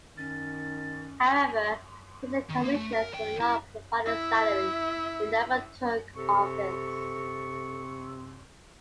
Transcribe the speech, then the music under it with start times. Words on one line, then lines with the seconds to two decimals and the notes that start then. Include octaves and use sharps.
However, since the commissioners were not provided a salary, they never took office.
0.17 D#3 C#4 A6
2.50 D#3
2.64 A#3
2.76 A3
2.93 A#4
3.13 D#2 G5
3.41 E4
4.06 E4 E5
6.16 C3 A4 C#6